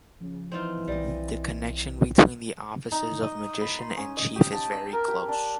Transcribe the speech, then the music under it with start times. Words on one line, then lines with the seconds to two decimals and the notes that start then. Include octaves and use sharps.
The connection between the offices of magician and chief is very close.
0.21 C#3 F3
0.52 E3 C4 D#4 F4
0.88 B1 G3 D#5
2.92 D#4
3.23 D#5
3.61 B5
3.79 C6
3.97 C#4
4.17 D#5
4.36 G4
4.53 A5
4.72 E6
4.93 A#4
5.08 G4
5.28 D4